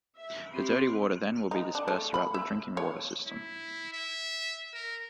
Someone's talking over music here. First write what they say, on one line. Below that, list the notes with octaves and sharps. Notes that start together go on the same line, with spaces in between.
The dirty water then will be dispersed throughout the drinking water system.
E5
C4 G4 B5 C6
D#4
D4
A3
B5
E5
C#5
E4
E5
A#4